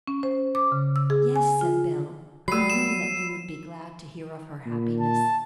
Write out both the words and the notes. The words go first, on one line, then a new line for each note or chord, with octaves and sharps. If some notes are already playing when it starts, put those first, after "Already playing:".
"Yes," said Bell; "we knew that you would be glad to hear of her happiness."
C#4
C5
D6
C#3
E6
G#4
G#5
F4
F#3 G3 B5 E6 C7 D#7
E7
A#2
A5